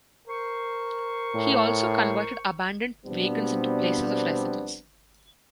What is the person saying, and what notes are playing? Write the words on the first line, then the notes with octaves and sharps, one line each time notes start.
He also converted abandoned wagons into places of residence.
A#4 C5 C#6
A2
B2 F3 G3 B3 C4 D4